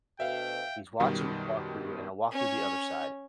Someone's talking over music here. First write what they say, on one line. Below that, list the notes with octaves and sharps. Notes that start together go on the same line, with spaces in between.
he's watching me walk through, and I walk through the other side,
D2 B2 E5 F5 G5
F#2 B2 D#3 G3
C#4 C#5